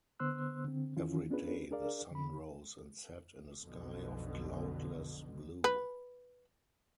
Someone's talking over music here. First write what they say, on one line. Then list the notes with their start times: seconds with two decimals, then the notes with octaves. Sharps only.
Every day the sun rose and set in a sky of cloudless blue.
0.20 D3 B3 C5 C6 E6 F#6
0.64 D3 C4
0.97 D#3 E3 C#4 E4 F4
1.30 B3 C#4 D4 F4 G#4 B4
1.71 D4 G#4 A#4 D5 F5
2.11 D3 B5
3.62 B1 F2 B2 D3
5.64 B4